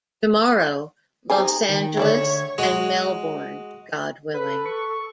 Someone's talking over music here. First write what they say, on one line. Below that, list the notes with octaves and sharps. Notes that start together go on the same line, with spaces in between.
Tomorrow, Los Angeles and Melbourne, God willing.
D#4 G4 C5 G#5
D#3 G5
D3 A3 A4 C#5 D5 E5
G#3 F#4 C#5
A4 B4
C#6